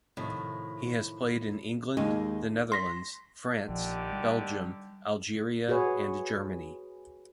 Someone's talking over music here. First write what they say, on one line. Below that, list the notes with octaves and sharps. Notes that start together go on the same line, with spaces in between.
He has played in England, the Netherlands, France, Belgium, Algeria and Germany.
A2 C3 D#3 F3
D#2 G#3 D#4
C6 A#6 B6
A#1 D3 D#3 F3 G4
G3
F#4 G#4 B4 C#5